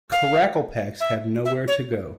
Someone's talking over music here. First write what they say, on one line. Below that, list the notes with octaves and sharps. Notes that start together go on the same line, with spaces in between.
Karakalpaks have nowhere to go.
F5
E5
E5
C#5